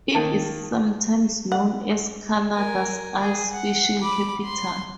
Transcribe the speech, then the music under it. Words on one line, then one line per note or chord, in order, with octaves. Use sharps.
It is sometimes known as Canada's ice fishing capital.
D#3 A#3 A5
F#5
A#4 G#5
G#4
F#5
B5 D6
C6